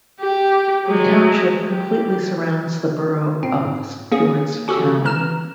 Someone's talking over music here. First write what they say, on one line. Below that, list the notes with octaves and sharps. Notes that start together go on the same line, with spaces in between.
The township completely surrounds the borough of Stewartstown.
G4
F#3 G#3
G4
A#2 C4
G#2
A#3 C#4 G#4
C#4 F#4 G4 A4
D3 E3 A#5 F6 E7